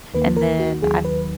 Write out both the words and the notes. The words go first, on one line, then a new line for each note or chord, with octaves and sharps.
and then I've
D#2 D#3 A#3 B4
A#4
F#4
D#2 D#3 F#3 G#4
B4